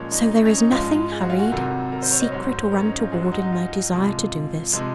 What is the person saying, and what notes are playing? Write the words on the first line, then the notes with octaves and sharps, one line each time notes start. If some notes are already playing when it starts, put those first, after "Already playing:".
So there is nothing hurried, secret, or untoward in my desire to do this.
Already playing: A#2 F3 G#3 C#4
D#4
D#4
C#4
D#4
G#2 F3 G#3 F4
G#4
F#4
F4
F#4
F2 C3 D#3 F#3
A#4
C5
C#5
D#5
G#2 F#3 C#5
C5
A#4
C#4
D#4
F4
G#2 F#3 G#4
F#4
D#4
D#4
F4
C3 F3 G#3
C3 F3 G#3